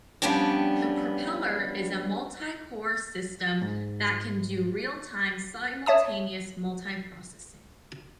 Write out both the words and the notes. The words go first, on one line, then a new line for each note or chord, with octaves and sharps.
The Propeller is a multicore system that can do real-time simultaneous multiprocessing.
F3 G3 B3 C#4 D4 G4
G#2
C#5 E5 A5 D#6